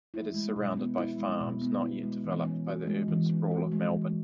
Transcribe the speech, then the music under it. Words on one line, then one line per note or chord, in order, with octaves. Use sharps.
It is surrounded by farms not yet developed by the urban sprawl of Melbourne.
E4
G#3
B2
B3
E4
G#3
B2
B3
E4
G#3
E3
C#4
F#4
G#3
E3
C#4
F#4
G#3
E3